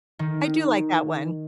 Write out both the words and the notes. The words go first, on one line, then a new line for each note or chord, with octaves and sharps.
I do like that one.
D#3